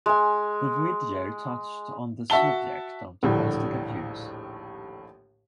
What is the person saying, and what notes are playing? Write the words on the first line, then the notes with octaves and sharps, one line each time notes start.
The video touched on the subject of domestic abuse.
G#3 G#5
F#4 E5 F#5 A5 G7
A#1 D#2 A2 D3 G3 A3